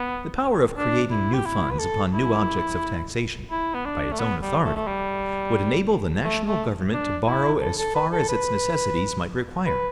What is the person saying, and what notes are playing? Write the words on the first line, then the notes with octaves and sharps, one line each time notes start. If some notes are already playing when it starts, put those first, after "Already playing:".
The power of creating new funds upon new objects of taxation, by its own authority, would enable the national government to borrow as far as its necessities might require.
Already playing: B3
D4
E4
G4
E4
B4
A4
E4
E4
B3
D4
A3
B3
G3
A3
A3
G3
A3
A3
D4
E4
A4
A4
B4
A4
B4
B4